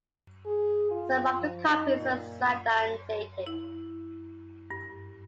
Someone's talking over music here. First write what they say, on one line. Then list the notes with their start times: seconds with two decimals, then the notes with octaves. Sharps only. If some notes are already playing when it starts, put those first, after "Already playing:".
Some of the copies are signed and dated.
0.46 G#4
0.91 F4
1.39 F3
1.68 D#4
1.99 A#2
3.46 E4
4.71 G2